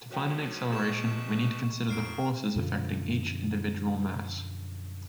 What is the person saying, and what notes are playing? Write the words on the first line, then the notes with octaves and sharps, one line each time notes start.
To find an acceleration we need to consider the forces affecting each individual mass.
F3 A3 F#4 B4 C#5 G5
A#2 G4 G#4 D#5 C#6 E7
F2 G#2 F6 C7 D7
F#2 B2 D3 F3